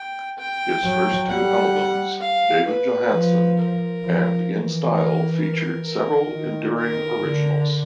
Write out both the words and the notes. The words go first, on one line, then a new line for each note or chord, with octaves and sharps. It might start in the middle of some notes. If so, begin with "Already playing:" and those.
His first two albums, "David Johansen" and "In Style", featured several enduring originals.
Already playing: G5
G5
F#3
G3 F#5
F5
B4
F3
A#4
F3
E3
A#4
A#4
A#4
D#3
A#4
D3